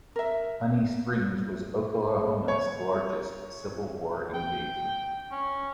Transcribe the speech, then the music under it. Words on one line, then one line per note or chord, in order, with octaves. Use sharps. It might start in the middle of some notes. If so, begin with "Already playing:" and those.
Honey Springs was Oklahoma's largest Civil War engagement.
A#4 E5
C#5
G5
C#4